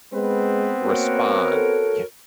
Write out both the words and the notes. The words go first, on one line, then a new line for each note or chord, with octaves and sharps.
respond yeah
G#3 B3 C4 B4
A#3 F#4 A#4 C#5
A4